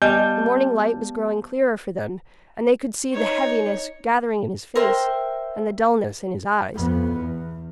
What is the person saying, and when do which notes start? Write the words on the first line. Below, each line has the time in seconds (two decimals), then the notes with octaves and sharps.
The morning light was growing clearer for them, and they could see the heaviness gathering in his face, and the dulness in his eyes.
0.02 G3 B3 D#5 G#5 A5 G6
3.13 D#4 C#5
4.75 A#4 C5 E5 G5
6.75 F2 B3
7.13 E2